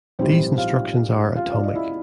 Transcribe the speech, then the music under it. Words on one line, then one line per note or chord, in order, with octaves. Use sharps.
These instructions are Atomic.
A#1 G#2 E3 G3 C4 C5
F4 F5
F4 F5
D5
D#5
E4 E5